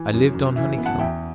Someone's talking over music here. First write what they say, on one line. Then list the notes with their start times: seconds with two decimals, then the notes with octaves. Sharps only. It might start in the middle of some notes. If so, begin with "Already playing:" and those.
I lived on honeycomb.
Already playing: E3
0.13 F#2
0.35 F#2
0.56 E3 E5
0.78 B3
0.85 F#5 A5
0.99 E2 E5 G5